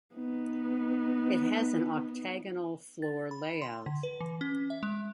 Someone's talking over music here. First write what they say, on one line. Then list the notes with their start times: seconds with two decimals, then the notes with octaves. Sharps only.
It has an octagonal floor layout.
0.15 B3 D#4
3.02 A6
3.31 B5
3.62 C6
3.86 D3
4.03 B4
4.20 E3
4.41 C#4
4.70 E5
4.83 G#3